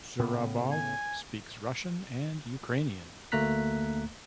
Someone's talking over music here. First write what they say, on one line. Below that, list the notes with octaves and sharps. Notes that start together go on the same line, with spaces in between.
Zurabov speaks Russian and Ukrainian.
A2 C#3 B3
G#5
D2 A3 A#3 A#5 F#6 B6